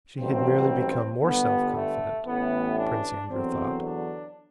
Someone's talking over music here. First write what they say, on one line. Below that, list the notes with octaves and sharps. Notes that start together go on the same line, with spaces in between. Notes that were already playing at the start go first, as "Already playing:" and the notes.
She had merely become more self-confident, Prince Andrew thought.
A1 G2 F#3 C4
G1 G2 D3 B3
A3
A1 A2 E3 B3
D4
E2 D3 F#3 C4
D4